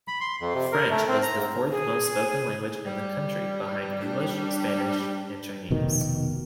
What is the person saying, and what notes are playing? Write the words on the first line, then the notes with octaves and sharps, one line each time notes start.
French is the fourth most-spoken language in the country, behind English, Spanish, and Chinese.
B5
C6
F2
C3
A#4
A3
C4
A#5
G#2
G#4
G3
D4
F1 B2 D#3